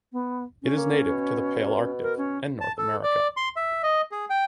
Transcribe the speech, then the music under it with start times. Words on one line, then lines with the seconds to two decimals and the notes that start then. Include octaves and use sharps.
It is native to the Palearctic and Northern America.
0.12 B3
0.62 C#4
0.77 A#3
1.09 B2
2.02 A#4
2.17 C#4
2.61 A5
2.78 A4
3.03 D5
3.37 C6
3.56 E5
3.83 D#5
4.11 G#4
4.30 G5